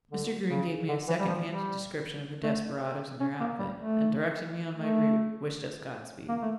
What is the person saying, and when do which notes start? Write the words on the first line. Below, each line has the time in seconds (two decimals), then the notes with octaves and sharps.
Mr. Green gave me a second-handed description of the desperadoes and their outfit, and directing me on my route, wished us Godspeed.
0.11 D3
0.50 C#3
0.89 D3
1.08 E3
1.20 G3
1.27 F3
1.47 G3
2.43 A3
3.20 C#4
3.40 A#3
3.59 G3
3.78 A3
4.75 A3
6.29 A#3
6.42 A3